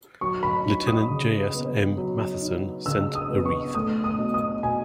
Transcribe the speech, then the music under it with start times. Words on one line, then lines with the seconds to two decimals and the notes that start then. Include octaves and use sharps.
Lieutenant J. S. M. Matheson sent a wreath.
0.21 F#3 C#6
0.43 B5
0.65 D#4
0.87 D#6
1.10 C#3
1.53 B3
1.97 F#3
2.42 D#4
2.86 C#3 E6
3.15 D#6
3.30 B3
3.45 C#6
3.75 A3 D#6
4.04 D#6
4.18 B2
4.34 D#6
4.63 B2 G#5